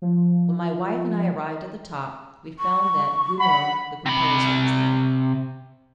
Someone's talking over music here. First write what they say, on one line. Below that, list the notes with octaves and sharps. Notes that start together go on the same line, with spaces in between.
When my wife and I arrived at the top, we found that Gounod, the composer, was there.
F3
C#6
F#5 B5
C3 B5